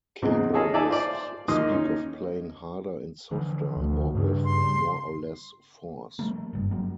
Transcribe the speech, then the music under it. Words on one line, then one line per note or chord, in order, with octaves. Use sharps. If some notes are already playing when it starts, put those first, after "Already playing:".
Keyboardists speak of playing harder and softer, or with more or less force.
E2 G#2 C#3 C4
F4 G#4 A4 C#5 D#5 F5
D#4 D5 E5 G#5 A5
F4 C5 D5
D#2 A#3 D#4 C6 D#6
C#4 D#4
D3 E3 F3
D2
G2 C#3 G3 D4
C6
F3 G3 A3 A#3
F#1 G2
F#3 A#3